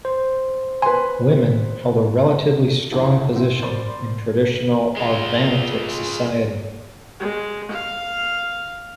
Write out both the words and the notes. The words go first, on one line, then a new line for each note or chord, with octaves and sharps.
Women held a relatively strong position in traditional Arvanitic society.
C5
B4 G#5 C6
C2 F2 D3 E3 G#3
F#3 C4 E4
A#4 C5 D5 B5 C6
G#3 F4
G#3
F5